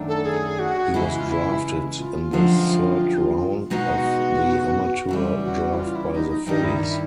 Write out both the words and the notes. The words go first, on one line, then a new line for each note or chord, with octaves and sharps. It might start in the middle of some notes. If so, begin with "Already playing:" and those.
He was drafted in the third round of the amateur draft by the Phillies.
Already playing: F#2 D#3 F#3 A3 D4
A4
G#4
F#4
C#3 E3 G#3 E4
F4
E4
F4
F#2 D3 F3 G#3 C4
B2 G#3 B3 D#4 F#4
C#3 E3 G3
F#4
E4
F4
E4
D#4
D#4
G2 D#3 G3 D#4
E4
E4